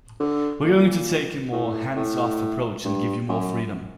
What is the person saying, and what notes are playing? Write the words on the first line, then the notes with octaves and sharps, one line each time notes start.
We're going to take a more hands-off approach and give you more freedom.
D3
A#2
A2
A2
G2
F#2